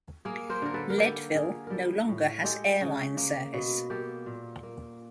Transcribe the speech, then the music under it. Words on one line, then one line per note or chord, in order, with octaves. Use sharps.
Leadville no longer has airline service.
A#3 G#4 A#4
A#4 C5
D3 A#4
A4 B4
A#4
A#3 G4 A4
D3 G#4 A#4
G3 G4 A4 A#4
A2
G#3 G4 A4
C#3
A#3
B2
A#3 G4 A4
A#2
A#3